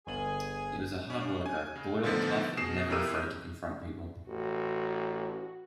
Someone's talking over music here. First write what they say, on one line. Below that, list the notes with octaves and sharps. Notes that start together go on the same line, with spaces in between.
He was a hard worker, loyal, tough, and never afraid to confront people.
G1 G#4 G#5 F#7
C#4 D4
G#5
C#3
A#2 D3 D#3 F3 A3 B3
B2 G#4 C7 E7
E2 E4 G4 A#4 E6 D#7
A1 F#4